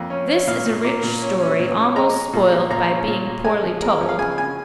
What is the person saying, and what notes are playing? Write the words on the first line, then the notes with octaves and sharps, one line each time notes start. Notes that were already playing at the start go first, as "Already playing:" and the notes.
This is a rich story almost spoiled by being poorly told.
Already playing: F2 A#3
C#4
C#4
A#2 F5
A#2
A#3
A#2
C#4
C#4
A#2
C#4
G#3 A#5
G#3
A#2
A#2
A#2 A#5
C#4
A#2
A#2
G#3 G#5
F3
G#3 A#4
F3
F5
C#3 G#5
C#3 G#5